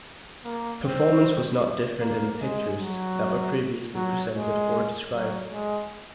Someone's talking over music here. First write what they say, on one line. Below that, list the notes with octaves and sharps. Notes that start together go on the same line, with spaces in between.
Performance was not different in the pictures that were previously presented or described.
A#3
C4
A#3
G#3
F#3
F#3
G#3
F#3
G#3